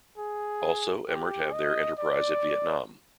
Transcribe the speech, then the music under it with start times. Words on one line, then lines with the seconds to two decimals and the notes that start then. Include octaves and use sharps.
Also Emart have their enterprise at Vietnam.
0.17 G#4
1.08 G4
1.52 D#5
1.98 D5